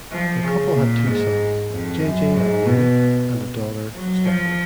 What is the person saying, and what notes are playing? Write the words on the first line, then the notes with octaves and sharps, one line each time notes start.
The couple had two sons, J. J. and Neil, and a daughter, Stephanie.
F3
C#3
A#2
G#2
F2
F#2
G#2
B2
F#3
F3